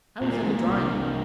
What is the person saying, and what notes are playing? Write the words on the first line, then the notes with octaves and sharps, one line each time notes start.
"I was in the drawing-room."
A#2 C4
A#3
A#2 G#3
A#3
C2
C2